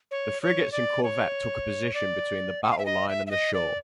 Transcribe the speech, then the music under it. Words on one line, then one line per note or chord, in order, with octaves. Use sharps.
The frigates and corvette took a position between the battle line and the shore.
C#5
C#5
D5
C#5
D5
F#5
F5
E5
D#5
E5
E5
D#5
D5